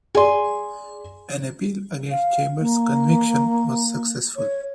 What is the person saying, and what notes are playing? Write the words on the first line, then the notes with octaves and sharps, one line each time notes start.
An appeal against Chambers' conviction was successful.
G#4 D5 G#5 C6
F5
A#3
C#5